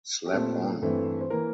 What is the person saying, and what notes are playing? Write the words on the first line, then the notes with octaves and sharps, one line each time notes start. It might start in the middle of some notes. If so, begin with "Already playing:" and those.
Slap on!
G4
A#2 A3 C4 A4
G2 E3 A3 C4
C5
E3 A#3 A#4